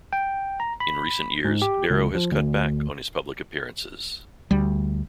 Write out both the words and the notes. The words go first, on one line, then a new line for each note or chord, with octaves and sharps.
In recent years, Darrow has cut back on his public appearances.
G5
A#5
B5
G#2
G4
C#2
F3
D2
D2 G3